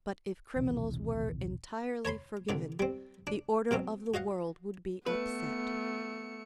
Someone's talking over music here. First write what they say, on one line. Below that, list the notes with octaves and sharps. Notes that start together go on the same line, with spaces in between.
But if criminals were entirely forgiven, the order of the world would be upset.
D#1 B1 C3 E3
C#5 A5 B5 C6
C2 D3 D5
G3 C4
D4
B2 F#3 C4 C#4
F#4 D#5 F5 F#5
A3 B3 B4 C#7